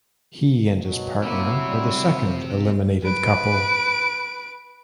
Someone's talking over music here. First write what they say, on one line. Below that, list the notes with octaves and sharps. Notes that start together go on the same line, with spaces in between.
He and his partner were the second eliminated couple.
B2 F#3
C3 A#3 E4 G4
G3
F3
B4 D7